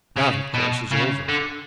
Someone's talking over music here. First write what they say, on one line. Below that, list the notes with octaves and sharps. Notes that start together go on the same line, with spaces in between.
That, of course, is over.
C#3
B2
C#3
D3